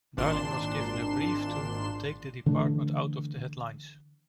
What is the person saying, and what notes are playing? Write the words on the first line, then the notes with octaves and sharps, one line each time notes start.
Darling was given a brief to "take the department out of the headlines".
G#1 A#2 D4 C6 E7
D3 E3 A3 D4